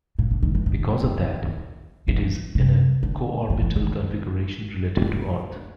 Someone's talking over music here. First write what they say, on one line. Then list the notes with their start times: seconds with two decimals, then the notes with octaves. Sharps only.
Because of that, it is in a co-orbital configuration relative to Earth.
0.19 A#2
0.31 D3
0.43 D#3
0.55 E3
0.66 D#3
2.08 E3
2.55 C3
3.03 D3
3.50 D#3
3.62 E3
3.76 D#3